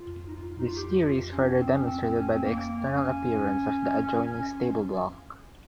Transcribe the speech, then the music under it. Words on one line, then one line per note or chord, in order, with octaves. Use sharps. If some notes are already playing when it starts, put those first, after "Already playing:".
This theory is further demonstrated by the external appearance of the adjoining stable block.
Already playing: F4
D#4
F4
D#4
F4
G4
F4
C#4
C4
C#4
C4
C4
C#4
C4
A#3
C#4